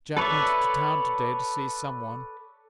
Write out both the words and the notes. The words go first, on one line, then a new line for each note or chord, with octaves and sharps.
Jack went to town today to see some one.
A4 B4 C#5 D5 E5